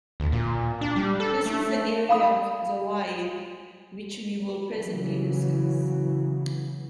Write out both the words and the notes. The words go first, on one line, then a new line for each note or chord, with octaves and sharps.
This is the area of Zawa'id which we will presently discuss.
D2
A#2
D4
G3
A4
A3
F5 B5 D#6
C#3 E3 F#3